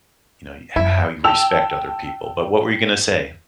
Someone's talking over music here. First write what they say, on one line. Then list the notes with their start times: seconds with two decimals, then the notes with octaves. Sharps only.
you know, ho how you respect other people, but what were you gonna say?
0.76 F#2 E4
1.24 G5 A5 E6 F7